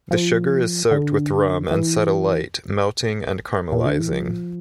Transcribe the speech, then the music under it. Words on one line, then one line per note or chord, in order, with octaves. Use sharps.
The sugar is soaked with rum and set alight, melting and caramelizing.
F3
D3
E3
A#2
D3
E3
F3